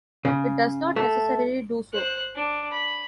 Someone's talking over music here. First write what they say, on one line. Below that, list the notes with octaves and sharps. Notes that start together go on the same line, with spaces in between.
It does not necessarily do so.
C#3
A3
C5 F#6
D4
B5